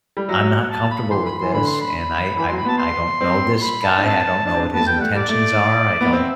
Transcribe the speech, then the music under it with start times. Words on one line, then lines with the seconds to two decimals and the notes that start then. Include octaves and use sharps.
"I'm not comfortable with this, and I I I don't know this guy, I don't know what his intentions are, I don't,"
0.17 G3
0.29 F#3 E5
0.49 F#5
0.70 A5
0.91 B5
1.11 E3 C6
1.26 B5
1.39 E3 C6
1.53 D3 B5
1.67 C6
1.81 B5
1.95 B5
2.37 E3 B5
2.47 F#3 C6
2.57 B5
2.65 B3 A5
2.78 C6
3.21 C4
3.54 C6
3.61 B5
3.83 A5
3.98 D4
4.03 C4 A5
4.46 D4 A5
4.54 C4
4.59 D4
4.74 B3 A5
4.80 A3
4.86 B3 G5
4.96 G3
5.01 A3 F#5
5.15 G3 D5
5.28 A3 D5
6.01 B3
6.13 C4 E5